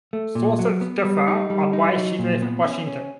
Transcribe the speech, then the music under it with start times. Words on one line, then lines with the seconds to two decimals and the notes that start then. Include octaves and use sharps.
Sources differ on why she left Washington.
0.13 A3
0.35 A#2
0.59 F#3
0.81 B3
1.05 G3
1.28 D#4
1.50 G3
1.73 D#4
1.96 F#3
2.19 A#2
2.42 B3
2.64 C#4
2.87 C#4